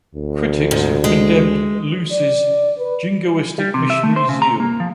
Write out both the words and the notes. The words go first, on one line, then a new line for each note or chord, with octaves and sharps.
Critics have condemned Luce's jingoistic missionary zeal.
D2
F2 G#2
G#3
D5
B4
G3
C3
E5
A3
C5
C#3
A#5
A#3
F3